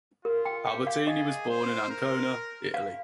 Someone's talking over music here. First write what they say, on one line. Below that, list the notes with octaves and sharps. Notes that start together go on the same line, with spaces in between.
Albertini was born in Ancona, Italy.
F4 A#4
G5
G4 G5
F5
G#4 D#5
C5
A#4
F5